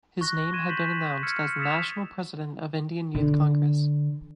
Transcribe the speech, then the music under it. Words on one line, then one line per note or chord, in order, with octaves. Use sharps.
His name had been announced as National President of Indian Youth Congress.
C#6 F#6 A#6
C6 C#6 G#6 D#7 E7
G6 B6 F#7
E6 F6 G#6 C#7
D#6 E6 A6 B6 E7 F7
D3